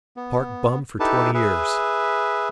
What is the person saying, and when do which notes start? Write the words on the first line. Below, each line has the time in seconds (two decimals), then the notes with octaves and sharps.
Park bum for twenty years.
0.17 B3
1.00 D#4 E4 G4 A4 B4 A5
1.34 G#4 B4 E5